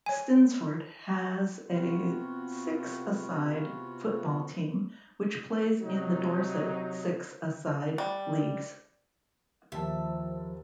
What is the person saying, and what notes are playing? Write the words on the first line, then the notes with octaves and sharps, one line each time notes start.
Stinsford has a six-a-side football team which plays in the Dorset six-a-side leagues.
C#5 G#5
C3 B3 F4 F#4
C3 F#3 D#4
G3
D#2 F3 E5 A5